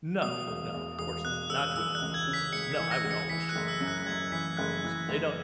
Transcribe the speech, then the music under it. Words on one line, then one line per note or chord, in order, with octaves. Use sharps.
No, no, of course not, not to an elderly person, no, I would always sugarcoat it to an elderly person. They don't
B2 D#6
E1
E2
E1 D#6
B2 F#6
E1 E6
E3 E6
F#6
C#2
G#6
C#3
B6
C#2 C#7
B6
E3
A#6
C#2
C#7
E3 B6
F#6
F#1
E6
F#2
F#6
F#6
F#1 G#6
E3 B6
F#1 F#6
E3
F#1